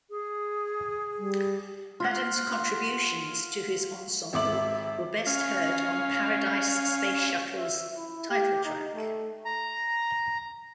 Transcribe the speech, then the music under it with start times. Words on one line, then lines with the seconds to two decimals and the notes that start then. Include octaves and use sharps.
Adams' contributions to his ensemble were best heard on "Paradise Space Shuttle"'s title track.
0.10 G#4
1.18 G3
2.00 F4 F#5
4.33 G#1 E5 D6 F#7
5.27 C#4 F5
7.57 E5
7.96 E4
8.30 G4
8.65 D#4
8.95 A3
9.45 A#5